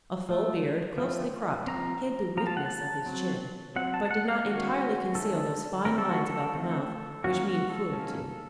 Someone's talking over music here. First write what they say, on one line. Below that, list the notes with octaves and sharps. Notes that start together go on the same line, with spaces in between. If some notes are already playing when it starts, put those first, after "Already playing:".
A full beard, closely cropped, hid the weakness of his chin, but did not entirely conceal those fine lines about the mouth which mean cruelty.
F3 A3
F3 A3 C4
F3 C4 A#5
F3 C4 A#5
A5
F#5
A5
F#3 C4
F#3 C4 F#5
A5
A5
F#5
F5
D#3 A3 C#4 F#4
D#3 A3 C#4 A4
D#3 A3 C4 A#4
A4
F#4
A4
D#3 A3 C4
D#3 A#3 C#4 F#4
F#4
A4
D#3 A#3 C#4